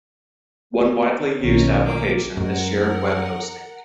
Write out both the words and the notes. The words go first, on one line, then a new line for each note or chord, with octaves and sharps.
One widely used application is shared web hosting.
B1 D#3 C#4 A#4
A#3 D6
F#2 G#3 A#4 F#5